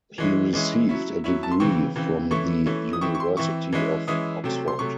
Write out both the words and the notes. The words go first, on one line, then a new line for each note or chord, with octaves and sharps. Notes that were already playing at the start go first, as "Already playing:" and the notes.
He received a degree from the university of Oxford.
E3 G#3 C#4 E4
E3 G#3 C#4 E4
F#3 C#4 E4
F#3 C#4 E4
A5
C6
C#3 E3 C4 C#6
C#3 E3 C4
E3 A3 C#4 E4 C#6
E3 A3 C#4 E4
D#6
E3 C4 E4 C#6
C#6
C6
E3 C4 E4 C#6
E3 G#3 C#4 E4
E3 G#3 C#4 E4 D#6
C3 F#3 A3 C4
C6
C3 F#3 A3 C#6